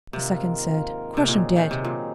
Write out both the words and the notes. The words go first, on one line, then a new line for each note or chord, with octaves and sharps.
The second said, 'Crush him dead.'
G#2 C3 D#3 A#3 F4 A#4
C3
A#2 F#3 C4 D#4 G#4
D#3
C3
A#2